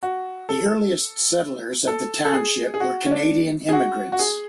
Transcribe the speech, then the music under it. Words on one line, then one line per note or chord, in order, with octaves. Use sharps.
The earliest settlers of the township were Canadian immigrants.
F#4
A4
A4
A4
G#4
G#4
F#4
C#4
D4
G#4
F#4
F#4
G#4